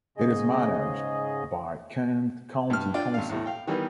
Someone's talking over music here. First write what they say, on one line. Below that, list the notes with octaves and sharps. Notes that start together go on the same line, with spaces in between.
It is managed by Kent County Council.
G#2 C#3 G#4 D#5
G2 F6
D4 F4 D5 G5
G#1 F5
E2 A2
F5 G5
D#3 E3 G3 A#3 B3